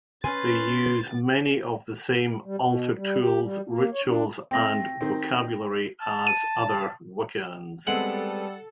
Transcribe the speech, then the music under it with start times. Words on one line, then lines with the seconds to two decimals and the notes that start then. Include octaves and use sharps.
They use many of the same altar tools, rituals, and vocabulary as other Wiccans.
0.24 C#4 B4 G#5 C6 A6
2.46 G3
2.59 B2
2.96 G3
3.19 G4
3.42 G3
3.68 A#3
3.93 C#5
4.06 D4
4.51 A3 C4 G5 A#6
5.01 D#3 C4
6.01 A5
6.27 D#7
7.87 G3 G#3 B3 C4 A4 F#5